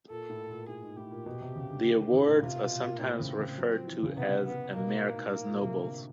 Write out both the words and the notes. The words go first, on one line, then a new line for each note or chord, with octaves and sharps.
The awards are sometimes referred to as "America's Nobels".
A#2 A4
A2
A#2
A2 G#4
G#2
A2 G4
A#2
B2
C3
C#3
D3
E3
D#3
C#3
A2
C3 F4
B2
A#2
A2 C4
C#3
C#3
F#3
F3
E3
C#3
C3 B3
B3
B2 A#3
A2
G#2
A#3
A#2
C3
D3